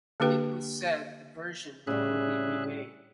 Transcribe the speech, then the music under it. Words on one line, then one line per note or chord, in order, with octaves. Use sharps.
It was said the version will be remade.
D3 A#3 D4 G4 B4 G5
A2 C#3 G3 G#4 E5 F#6